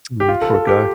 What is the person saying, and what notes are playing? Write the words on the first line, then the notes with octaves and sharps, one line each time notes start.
No, poor guy.
G4
F4
A4
A4
G4